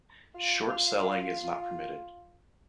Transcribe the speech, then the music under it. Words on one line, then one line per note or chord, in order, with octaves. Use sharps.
Short selling is not permitted.
F4 F5